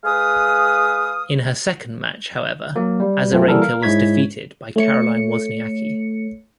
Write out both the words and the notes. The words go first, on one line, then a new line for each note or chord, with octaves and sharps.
In her second match, however, Azarenka was defeated by Caroline Wozniacki.
G#3 B4 F5 D#6
F#3 A#3
G3
F#2 F3 A3 C4 F4
E3 G3 A#3 F#4 A4 A#4
A#4 F5
G#2 G#3 E4 C#5 G#6 B6
A3 C#5 C#7